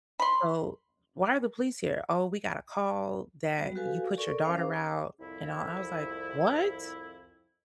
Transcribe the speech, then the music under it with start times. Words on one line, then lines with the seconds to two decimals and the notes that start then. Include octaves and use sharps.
So why are the police here?" "Oh, we got a call that you put your daughter out." And, uh, I was like, "What?"
0.20 B5 C6
3.57 F#3 G3 B3 F#4
3.75 F#4 G4 A4 B4 F5 G#5
4.18 A4 A#4 D5 C#6
4.43 C#4 C5 F5 G5
4.57 G#4 C5 D6
5.19 C2 F2 E4